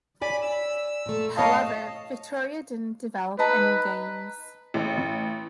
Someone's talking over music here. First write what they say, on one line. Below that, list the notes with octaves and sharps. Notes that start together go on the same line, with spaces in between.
However Victoria didn't develop any games.
C#5 D5 G#5 B5
E6
A#2 A3
A2 C#5 D#5 F5 A5
D#4 B4 A5 A#5
A1